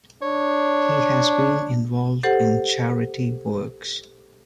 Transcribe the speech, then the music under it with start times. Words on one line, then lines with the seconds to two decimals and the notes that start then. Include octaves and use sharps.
He has been involved in charity works.
0.22 D4 C#5
2.23 G4 A4 C5 F#5